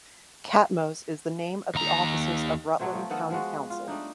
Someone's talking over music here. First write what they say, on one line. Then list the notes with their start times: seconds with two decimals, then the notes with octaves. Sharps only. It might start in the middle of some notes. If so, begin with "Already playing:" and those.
Catmose is the name of the offices of Rutland County Council.
1.75 D#2 A#5
2.79 B2 F#3 A3 C4
2.93 F3 A3
3.10 D#3 B3 A4
3.30 F3 G#3 F#4
3.70 F4
3.88 G3 A3 D4 D#4